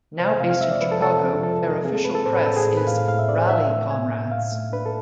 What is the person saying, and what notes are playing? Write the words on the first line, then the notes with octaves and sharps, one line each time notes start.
Now based in Chicago, their official press is Rally, Comrades!
C3 C5
G#5
C3 F5
F5
G#3 E5
D5
F3 B4
A4
C3 A4
F3
F3 A4
C3
C4 G#4
A4
G#3 B4
A4
A2 C5
B4
A2 A4
G#4
A2
B4
A2 F5
F5
A2 F5
E5
A2 D5
C5
D4 E5
A3
A3 G#5
A2
A2 F5
A3
D4 B4
A4